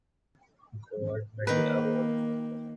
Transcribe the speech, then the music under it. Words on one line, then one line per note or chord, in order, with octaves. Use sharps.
Gold Medal Award.
D#3 A#3 B4